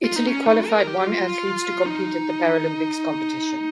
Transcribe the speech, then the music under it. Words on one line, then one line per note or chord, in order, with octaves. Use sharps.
Italy qualified one athletes to compete at the Paralympics competition.
F4
D#4
C#4
D#4
A#4
G4
F4
D#4